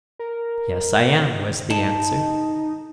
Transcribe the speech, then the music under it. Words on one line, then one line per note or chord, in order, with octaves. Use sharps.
'Yes, I am,' was the answer.
A#4
D#4 A5